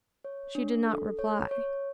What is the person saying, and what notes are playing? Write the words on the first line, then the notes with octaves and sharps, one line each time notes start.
She did not reply.
C#5
D4
A4
C#5
C#5